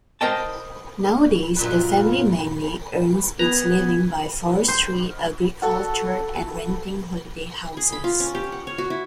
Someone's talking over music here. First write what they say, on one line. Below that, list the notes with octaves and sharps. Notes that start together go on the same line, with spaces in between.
Nowadays, the family mainly earns its living by forestry, agriculture and renting holiday houses.
A#4 C5 D#5 G5 A5
F#2 A#2 F4 B4
B3 B4 G#5 A#5
C5
F#4 A4
G#4
B5
F4
C#4
G4
F#5
C#5
F#4
E4